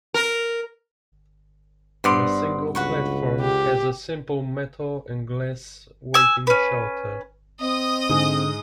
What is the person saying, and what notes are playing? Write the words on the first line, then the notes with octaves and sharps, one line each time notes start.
The single platform has a simple metal and glass waiting shelter.
A#4
G2 B3 C5 D5 C6
C#2 F#4 B4 C#6
G4
G#5 E6
C#4 B4
C4 D#5 D#6
G#2 D3 G#3